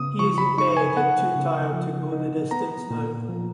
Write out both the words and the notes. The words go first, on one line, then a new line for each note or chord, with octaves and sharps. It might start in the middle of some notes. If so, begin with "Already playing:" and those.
He is in bed, and too tired to go the distance now.
Already playing: C#3 B3 D#6
F3 C#6
B5
D#4 C#6
G#5
B3 F#5
C#3
F3
D#4
B3 A#5
A#2
F3